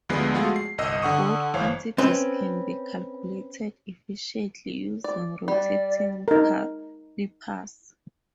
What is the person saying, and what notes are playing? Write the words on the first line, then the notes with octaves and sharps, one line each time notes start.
Both quantities can be calculated efficiently using rotating calipers.
D2 D3 F3 G#3 B3 C7
F3 G#3 A3 F4 F#4 G#4
C7
G1 C2 D#5 E6
D3 F#5 C#6 D#6
G1 E3 C5 C#5 F5
C4 C#4 B4
D5
G3 D5
D#4 A#4